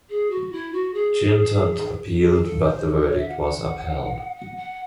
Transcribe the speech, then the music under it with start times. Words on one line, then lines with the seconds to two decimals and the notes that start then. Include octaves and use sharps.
Jeantot appealed but the verdict was upheld.
0.09 G#4
0.31 F#4
0.52 E4
0.73 F#4
0.94 G#4
2.22 G#4
2.44 A4
2.64 C5
2.81 G#4
2.87 A4
3.08 C#5
3.18 E5
3.29 F#5
3.39 F#5
4.36 F#5
4.57 F#5